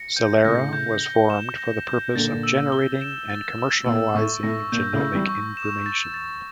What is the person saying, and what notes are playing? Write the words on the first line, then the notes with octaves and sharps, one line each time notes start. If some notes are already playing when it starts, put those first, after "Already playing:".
Celera was formed for the purpose of generating and commercializing genomic information.
Already playing: A#6 C#7
G6
A2 C#3 A#6
G6
G7
E7
A#6
G6
A#2 D3 A6
E6
G7
E7
A6
E6
A#2 E6
A2 C#6
A2 A#6
A#2 G6
A2 C#3
E6
E3 G3
C#6
E7
A6
A6